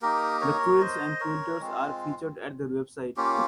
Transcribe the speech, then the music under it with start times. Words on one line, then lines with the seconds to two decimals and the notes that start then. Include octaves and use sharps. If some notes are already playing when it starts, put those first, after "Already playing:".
The quilts and quilters are featured at their website.
0.02 A#3 D#4 G4 A#4
0.41 A#4 C#5
0.81 C5 D#5
1.20 A#4 C#5
1.60 G#3 C4 F4
3.17 A#3 C#4 F4 G4